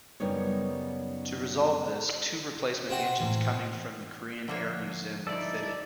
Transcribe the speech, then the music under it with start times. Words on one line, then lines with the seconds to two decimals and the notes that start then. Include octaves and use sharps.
To resolve this, two replacement engines coming from the Korean Air museum were fitted.
0.20 F#2 C#3 G3 B3 D#4 C#5
2.89 C3 F#4
3.21 A2 E3
4.48 D3 F3 A#3 C5 C#5 E5
5.27 D#4 E4 A4 D5